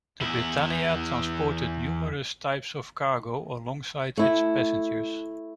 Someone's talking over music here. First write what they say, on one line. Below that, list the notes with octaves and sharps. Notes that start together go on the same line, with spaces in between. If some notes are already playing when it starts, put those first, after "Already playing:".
The Britannia transported numerous types of cargo alongside its passengers.
E2 E4
A3 E4